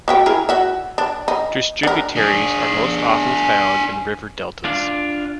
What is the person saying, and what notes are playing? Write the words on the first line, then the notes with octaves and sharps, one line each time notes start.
Distributaries are most often found in river deltas.
F#4 E5 G5
E4 G#4 A#4
F#4 E5
D4
D#4
D3 A#4
D4 G#4
D4 F4